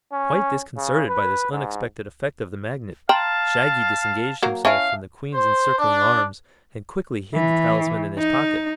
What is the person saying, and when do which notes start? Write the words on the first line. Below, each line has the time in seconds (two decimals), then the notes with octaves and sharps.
Quite disconcerted by this unexpected effect of the Magnet, Shaggy disengaged himself from the Queen's encircling arms and quickly hid the talisman in his pocket.
0.13 C#4
0.77 C#3
1.08 B4
1.52 G#2
3.09 F5 G5 A5 A#5 C6 F6
4.42 F#3 A#3 A#4
4.65 C#4 E4 E5 F5 G#5 A5
5.34 C5
5.79 D4
7.34 E3
8.17 D#4